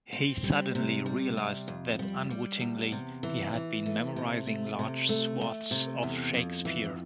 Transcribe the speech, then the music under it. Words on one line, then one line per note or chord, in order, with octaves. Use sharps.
He suddenly realized that, unwittingly, he had been memorizing large swathes of Shakespeare.
C4
G3
C3
G3
C3
F2
G3
G3
E2
C3
E3
E3
A3
C3
A3
C3
A3
A3
C3
E2
F2
E3